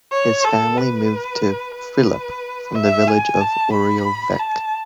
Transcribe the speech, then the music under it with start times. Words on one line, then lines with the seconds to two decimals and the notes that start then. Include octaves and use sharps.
His family moved to Prilep from village of Oreovec.
0.12 C#5
0.44 A4
0.77 B4
1.76 B4
2.75 E5
3.08 G#5
3.41 A5
3.73 B5
4.39 A5